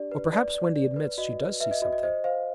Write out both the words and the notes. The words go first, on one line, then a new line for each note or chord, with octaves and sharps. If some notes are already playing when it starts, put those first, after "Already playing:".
Or perhaps Wendy admits she does see something.
Already playing: D4 G4 D5
B4
B4 D5
D5
D5
B4
F#4 D#5
B4
B4 E5
D#5
F#4 D#5
D#5
C5 D#5
C5 F5